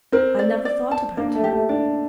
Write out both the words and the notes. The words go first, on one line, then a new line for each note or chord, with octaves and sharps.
'I never thought about her.
C4 A#4
D5
D5
A5
A#3 D4
A3
G4
A3
D4 D5